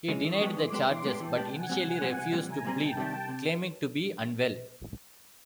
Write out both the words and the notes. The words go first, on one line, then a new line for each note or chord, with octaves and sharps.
He denied the charges but initially refused to plead, claiming to be unwell.
C#3 E3 G#3 C#4
E3 C#6 D#6
G#3 B3 D4 G4
E3 C6 D6
G#3 B3 D4 G4
E3 C6 D6
G#3 B3 D4 G4
E3 G5 A5
G#3 B3 D4 G4
C2 F#5 G#5
A#2 G3 C4
C2 F#5 G#5
A#2 G3 C4
C2
A#2 G3 C4
C2 G#5 A#5
A#2 G3 C4
C2 G5 A5
C3 D#3 G3
C2
C3